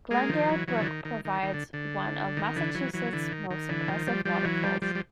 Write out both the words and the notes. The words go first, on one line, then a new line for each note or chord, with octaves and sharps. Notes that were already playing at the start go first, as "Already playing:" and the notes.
Glendale Brook provides one of Massachusetts' most impressive waterfalls.
G#3 A#3
D#3 F3
E3 F#3
E3 F#3
D3
D#3
D#3
D#3
D#3
D3
D3
D#3
D3 E3
E3 F#3
E3 F#3
D3 E3
D#3
D#3
D3 E3
D#3 F3
F3 G3
F3 G3
E3 F#3
F3 G3
F3 G3
G3